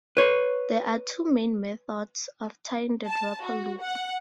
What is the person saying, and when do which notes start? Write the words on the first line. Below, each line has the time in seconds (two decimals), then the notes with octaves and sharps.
There are two main methods of tying the dropper loop.
0.17 B4 C#5
3.07 A5
3.44 F#4
3.81 F#5